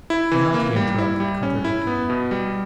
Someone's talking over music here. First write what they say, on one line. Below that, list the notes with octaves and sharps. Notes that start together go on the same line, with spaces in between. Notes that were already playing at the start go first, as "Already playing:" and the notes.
"Why not!" he interrupted, contradicting me.
E4
E3
A#3
G3
E4
G3
C#4
E4
B3
B2
G3